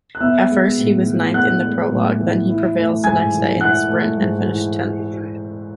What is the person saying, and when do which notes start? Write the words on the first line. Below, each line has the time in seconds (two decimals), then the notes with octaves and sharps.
At first he was ninth in the prolog, then he prevails the next day in the sprint and finished tenth.
0.15 F#6
0.20 B3 E5 E6
0.49 G#3
0.78 A2
1.06 E3
1.34 B3 F#5 F#6
1.62 G#3
1.90 A2
2.19 E3
2.47 E4
2.75 A3
3.04 G#2 G#5 G#6
3.33 E3
3.61 E4 F#5 F#6
3.89 A3
4.17 G#2
4.46 E3